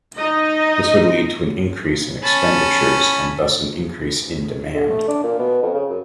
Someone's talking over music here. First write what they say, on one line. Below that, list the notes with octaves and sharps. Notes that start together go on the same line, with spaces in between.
This would lead to an increase in expenditures and thus an increase in demand.
D#4 D#5
C#4 A5 B5
D3
A3
D4
A#2
B2
F2
C#3
F#2